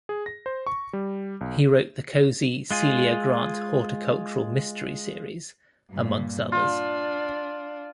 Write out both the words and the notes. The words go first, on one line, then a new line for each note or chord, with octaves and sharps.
He wrote the cozy Celia Grant Horticultural mystery series, amongst others.
G#4
A#6
C5
C#6
G3
B1
G#3 F4 G#4
G2 A#2
D4 F4